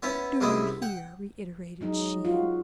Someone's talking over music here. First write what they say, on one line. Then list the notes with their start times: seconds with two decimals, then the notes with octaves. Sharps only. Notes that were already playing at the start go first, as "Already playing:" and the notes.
"What do you hear?" reiterated she.
0.03 B3 C#4 E4
0.41 C2 F#2 C3 G#3 E4 D#6
0.82 F#5 G5
1.81 F#3 G#3 D#4
2.25 F4 F#4